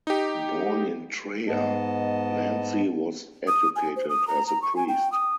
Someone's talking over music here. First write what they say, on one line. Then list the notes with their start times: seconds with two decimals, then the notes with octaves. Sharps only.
Born in Treia, Lanzi was educated as a priest.
0.07 D#4 G4
1.49 G#2 B3 D#5 A5
3.47 D#6
3.76 G#5
3.96 C5
4.09 D#6
4.28 A#5
4.47 A#5
4.62 C#6
4.76 G#5
4.88 G5
5.12 D#6